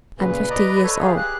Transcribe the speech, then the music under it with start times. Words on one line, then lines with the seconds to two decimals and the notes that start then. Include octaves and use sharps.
I'm fifty years old.
0.18 A#2 C#3 B4
0.50 D5 D#5 A#5
0.83 A4 C#5
1.01 G4 G#4 F5
1.15 F#6